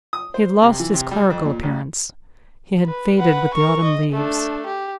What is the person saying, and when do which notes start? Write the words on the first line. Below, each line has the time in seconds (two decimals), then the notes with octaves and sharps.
He had lost his clerical appearance--he had faded with the autumn leaves.
0.13 D#6
0.34 C5
0.62 C3
0.80 E3
0.94 C3
1.11 G3
1.30 F2
1.45 A#2
1.63 A1
2.85 B4
3.19 B4 F#5
3.54 A#4 C#6
3.83 D#5
4.12 A3 D4
4.67 G4